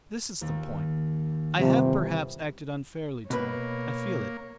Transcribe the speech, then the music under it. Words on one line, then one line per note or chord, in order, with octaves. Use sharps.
This is the point: I have perhaps acted unfairly to you; I feel it.
D#2
G1 C3
B2 A#3 B4 C#5